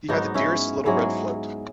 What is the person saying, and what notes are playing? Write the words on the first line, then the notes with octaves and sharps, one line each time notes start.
He had the dearest little red float.
G#2 F#3 B3 D#4
C#4 E4
G#2 F#3 E4 G#4